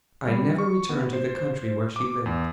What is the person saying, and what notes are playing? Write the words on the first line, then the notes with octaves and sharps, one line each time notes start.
"I never returned to the country where she lived."
G3
C#6
B3
C5
D6
E2